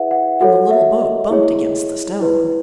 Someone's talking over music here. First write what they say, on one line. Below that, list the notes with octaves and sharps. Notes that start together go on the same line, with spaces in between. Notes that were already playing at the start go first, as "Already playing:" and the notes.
And the little boat bumped against the stone.
Already playing: E4 G#4 B4 E5 F#5
F#5
F#4 A4 C#5 F#5
E5
D#5
E4 G#4 C#5
E4 B4